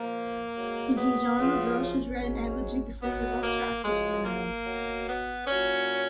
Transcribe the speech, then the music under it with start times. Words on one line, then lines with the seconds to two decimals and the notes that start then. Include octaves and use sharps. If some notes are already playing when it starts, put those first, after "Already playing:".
In his honor, Drusus read a eulogy before the rostra at his funeral.
Already playing: A#2 F3 A#3
0.56 G#2 F#3
0.97 B3
1.38 F#2 C#3 F3
1.79 C#4
2.19 G#2 F#3
3.01 B2 F#3 B3
3.42 A#3
3.82 F#2 C#3 F3 G#3
4.24 A#3
4.64 B2 F#3
5.06 B3
5.46 A#2 F#3 C#4